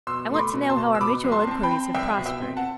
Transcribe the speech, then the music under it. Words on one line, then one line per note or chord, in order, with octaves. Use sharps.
I want to know how our mutual inquiries have prospered.'
B2 C6 E6
A3 C6
B5 D6
B2
A5 C6
B2
E6
B2 B5 D6
C2
A5 C6
C4 A5
G5 B5
C4
C2 E5 G5
B2
E5 G5
C4
F#5 A5